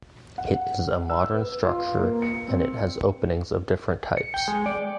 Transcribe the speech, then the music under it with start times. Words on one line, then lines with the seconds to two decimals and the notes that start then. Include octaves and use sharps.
It is a modern structure and it has openings of different types.
0.38 F#5
1.10 E6
1.34 B4
1.64 F4
1.98 A#3
2.22 C#7
2.48 C4
4.17 C#7
4.34 G5
4.48 G#3
4.66 D5